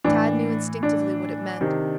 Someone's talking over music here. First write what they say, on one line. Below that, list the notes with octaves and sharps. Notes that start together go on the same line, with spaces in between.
Tad knew instinctively what it meant.
A2 E3 D4
D4
C3 D#3